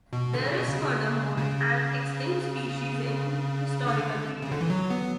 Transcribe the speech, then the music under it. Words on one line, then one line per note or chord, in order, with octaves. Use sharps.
There is furthermore an extinct species in historical period.
B2
D3
C#3
B2
C#3
C#3
D3
C#3
D3
E3
F#3
B3